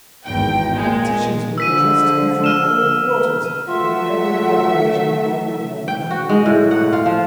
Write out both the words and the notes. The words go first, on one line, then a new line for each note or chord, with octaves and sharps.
Petitions were addressed to me from all quarters, from every corporation and body of men in the whole empire.
G#1 E2 G5
A#2 G#3
D3 F3 E6 B6 D#7
F6 D#7 E7
F#3 A3 F4 E5 F#5
G5
F#4
G#3
A2
F#5
F4
F3